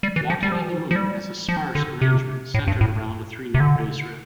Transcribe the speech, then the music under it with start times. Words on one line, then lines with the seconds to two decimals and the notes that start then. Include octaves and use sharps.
"Walking on the Moon" has a "sparse" arrangement, centred around a three-note bass riff.
0.03 G3
0.16 E3
0.30 F3
0.43 G3
0.52 F3
0.61 E3
0.70 F3
0.91 F3
0.96 G3
1.49 F3
1.75 D3
2.02 C3
2.54 A2
2.67 G2
2.81 A2
3.54 C3
3.60 D3